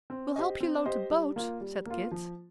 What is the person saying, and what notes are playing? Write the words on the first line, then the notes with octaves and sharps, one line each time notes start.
"We'll help you load the boat," said Kit.
C4
G4 C5 D#5
C4
G4 C5 D#5
G3
A#3 F4
G3
A#3 F4
F3